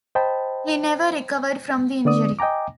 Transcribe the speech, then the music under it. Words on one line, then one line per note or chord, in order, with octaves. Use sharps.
He never recovered from the injury.
C5 D#5 G5 A5 B5
D3 B3 D5 D#6
D#5 G5 G#5 A#5 D6